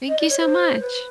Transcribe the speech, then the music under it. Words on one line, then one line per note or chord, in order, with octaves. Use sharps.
Thank you so much.
D#5
D5
C#5
C5
B4